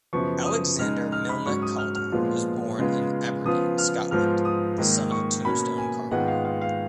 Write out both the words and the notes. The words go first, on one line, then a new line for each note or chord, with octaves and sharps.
Alexander Milne Calder was born in Aberdeen, Scotland, the son of a tombstone carver.
F#2 C#3 F3 B3 C#6
D#6
C#3 G#3 D#4 F6
F6
B5
G#2 F#3 C#4 C#6
D#6
F6
F6
A#2 F3 G#3 B3 F4
C#3 G#3 B3 F4
C#3 F3 B3 F4 D#6
F6
G#2 F3 B3 F4 F6
D#6
G#2 D#3 A#3
C#6
B2 A#3 C#4 B5
G#5
G#2 D#3 G#3 B3 F4 F#5
F5
F5
F5